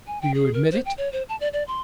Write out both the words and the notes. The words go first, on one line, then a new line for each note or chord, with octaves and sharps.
Do you admit it?
G#5
G5
G#4
A#4
C5
G5
C#5
C5
A5
D5
D5
C6